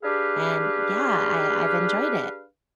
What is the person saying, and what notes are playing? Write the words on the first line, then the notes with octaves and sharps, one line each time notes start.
And yeah, I I've enjoyed it.
D4 G4 G#4 B4 F5